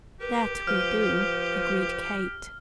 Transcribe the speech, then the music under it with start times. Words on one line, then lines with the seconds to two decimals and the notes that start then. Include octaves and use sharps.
"That we do!" agreed Kate.
0.20 G4 A#4 B4
0.67 F3 B4 F6